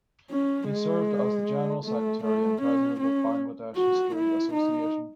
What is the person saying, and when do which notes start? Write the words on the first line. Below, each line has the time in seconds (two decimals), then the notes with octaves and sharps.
He served as the General Secretary and President of Bangladesh History Association.
0.32 C#4
0.70 G#3
1.85 A3
2.24 A3
2.61 C#4
3.00 C#4
3.76 F#4
4.15 E4
4.53 D#4